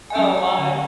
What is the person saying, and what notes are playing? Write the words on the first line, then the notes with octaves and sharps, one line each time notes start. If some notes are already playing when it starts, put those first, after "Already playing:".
Oh my.
G#5
F#3 C#4 A5
G#5
D3